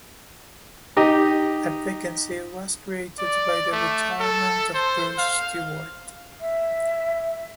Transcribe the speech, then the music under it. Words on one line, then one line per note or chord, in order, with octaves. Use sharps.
A vacancy was created by the retirement of Bruce Stewart.
D#4 G4 D#5
D5
A3
A4
C5
F5
E5